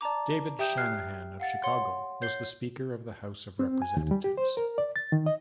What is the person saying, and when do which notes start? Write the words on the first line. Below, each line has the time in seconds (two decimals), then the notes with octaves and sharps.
David Shanahan of Chicago was the Speaker of the House of Representatives.
0.01 D5 A5 A#5 D6
0.59 G4 E5 G5 D#6 G6 E7
0.78 F6 F#6 C7
1.40 F5 F#5 A6
1.64 C#5 F#5 C6
2.21 C#5 G6 C7 G7
3.59 C4
3.82 G#5
3.97 D#2
4.11 G3
4.24 G4
4.37 C5
4.57 A#4
4.78 D5
4.96 A6
5.12 D#3
5.26 D#5